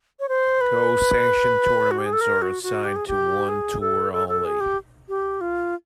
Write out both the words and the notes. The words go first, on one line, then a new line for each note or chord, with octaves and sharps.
Co-sanctioned tournaments are assigned to one tour only.
C#5
C5
B4
F#4
G4
G#4
A4
A#4
F#4
F#4
G4
G#4
G4
G#4
A4
A4
A4
G#4
G4
G4
F4